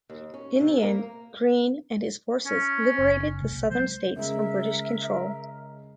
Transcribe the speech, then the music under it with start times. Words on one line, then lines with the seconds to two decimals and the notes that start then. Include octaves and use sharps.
In the end, Greene and his forces liberated the southern states from British control.
0.10 D#2
0.34 C#4
0.60 C3
0.82 A#3
2.46 C#4
2.98 F#1
3.42 B1 C3 A#3
3.70 F#3 G#3 A#3 C5
4.16 C#3 G#3 A#4 E5